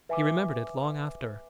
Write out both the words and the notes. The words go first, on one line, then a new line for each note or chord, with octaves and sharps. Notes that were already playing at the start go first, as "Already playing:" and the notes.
He remembered it long after.
B4 E5 G#5 D6